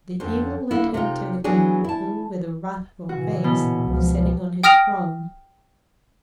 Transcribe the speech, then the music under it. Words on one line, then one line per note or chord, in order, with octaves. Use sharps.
The Eagle led him to the King, who with a wrathful face was sitting on his throne.
F2 D3 C5
D3 A#3 E4
C3 D#4 F4
E3 F#3 G#3 B3 D4 G#4
E4 A5
A#2 C#3 E3 F#4
B2
C#2 F3
G5 D#6 F6 A#6 D7 F7